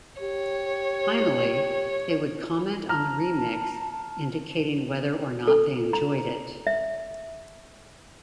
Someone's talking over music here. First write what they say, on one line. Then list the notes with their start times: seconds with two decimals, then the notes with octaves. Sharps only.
Finally, they would comment on the remix, indicating whether or not they enjoyed it.
0.21 G4 C#5
2.89 A5 A#5 F6
5.47 A4
5.93 A#5
6.67 E5